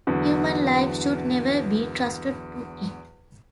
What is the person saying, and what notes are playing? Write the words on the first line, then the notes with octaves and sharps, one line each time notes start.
Human life should never be trusted to it.
E2 D3 F#3